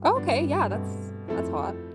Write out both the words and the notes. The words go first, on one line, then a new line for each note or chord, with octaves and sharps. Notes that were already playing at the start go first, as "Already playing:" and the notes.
Okay, yeah. That's that's hot.
Already playing: G2
D3 F3 B3 D4
B2 A3 C4
F2 F3 A3 C4 E4 A4